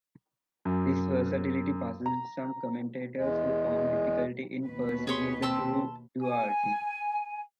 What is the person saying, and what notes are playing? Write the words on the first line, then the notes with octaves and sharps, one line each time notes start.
This versatility puzzled some commentators, who found difficulty in perceiving the true Duarte.
F#2
A#5
E2 G#3
D#2 B2 B4
G#4 C#5 C6
C4 A5 C6 E6
G#5